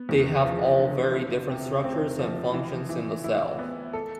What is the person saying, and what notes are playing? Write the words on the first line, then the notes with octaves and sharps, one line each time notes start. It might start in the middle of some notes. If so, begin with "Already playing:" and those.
They have all very different structures and functions in the cell.
Already playing: B3
E2
F3
D3
E4
C3
C4
F3
E3
E3
E4
B3
A4